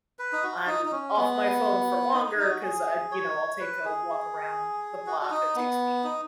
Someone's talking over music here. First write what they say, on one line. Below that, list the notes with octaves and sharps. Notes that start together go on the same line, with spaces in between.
I'm off my phone for longer 'cause I, you know, I'll take a walk around the block that takes me,
B4
D#4
F#4
D#4
D#4
C#4
B3
D#4
D#4
D#4
F#4
G#4
C#5
B4
G#4
F#4
F#4
D#4
B3
D#4